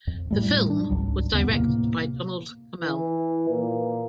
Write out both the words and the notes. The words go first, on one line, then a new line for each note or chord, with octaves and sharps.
The film was directed by Donald Cammell.
F2
A2 G3 A3
D4
G#1 C#2 F#3
D#2 C#3 B3
A2 C3 A#3
E3
A#2